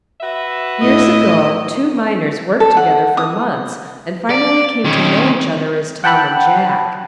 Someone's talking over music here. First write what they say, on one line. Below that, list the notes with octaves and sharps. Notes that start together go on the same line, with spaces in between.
Years ago two miners worked together for months and finally came to know each other as Tom and Jack.
F#4 B4 E5
A2 E4 D#5
A4
F#5
D#6
D5
D#3 C#4
F#5 G5 A5 B5 F#6